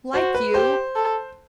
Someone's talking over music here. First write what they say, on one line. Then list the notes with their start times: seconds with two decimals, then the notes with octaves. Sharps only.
Like you?
0.14 F#4 C5
0.35 B4
0.54 G4 C5
0.96 A4